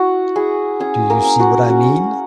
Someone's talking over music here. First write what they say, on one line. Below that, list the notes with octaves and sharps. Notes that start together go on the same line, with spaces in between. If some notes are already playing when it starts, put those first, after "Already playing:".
Do you see what I mean?
Already playing: E4 F#4
E4 G#4
C#4 G#4
A#3 A#4
C#4
F#4
C#4 F#4